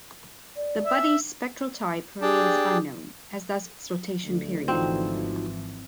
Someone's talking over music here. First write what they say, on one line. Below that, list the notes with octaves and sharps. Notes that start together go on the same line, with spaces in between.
The body's spectral type remains unknown, as does its rotation period.
D5
E5
D4 G4 G#4 G5 A5
D2
G#1 E3 F3 C4 D#4 F4 F#4